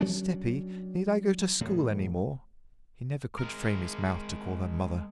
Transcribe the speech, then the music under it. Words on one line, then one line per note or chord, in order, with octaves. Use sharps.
"Steppy, need I go to school any more?" He never could frame his mouth to call her mother.
F#3 G3 C#4 D4
E1 A2
G#3 A#4